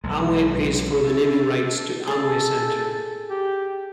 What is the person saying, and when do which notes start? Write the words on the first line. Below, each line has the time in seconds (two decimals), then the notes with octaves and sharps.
Amway pays for the naming rights to Amway Center.
0.04 B1 G#3
1.01 A4
2.07 G#4 A4 A5
3.30 G4